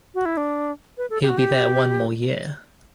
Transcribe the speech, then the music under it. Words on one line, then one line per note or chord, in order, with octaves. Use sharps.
He'll be there one more year.
F#4
E4
D4
B4
A4
G4
F#4
G4